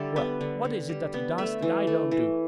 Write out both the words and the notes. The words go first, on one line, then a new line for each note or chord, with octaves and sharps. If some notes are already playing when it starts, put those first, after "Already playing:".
Well, what is it that he does that I don't do?
Already playing: D3 G3 A4 D5 E5
B3 B4
D3
D3
G3
B3
A3 E5
E3
A3
E3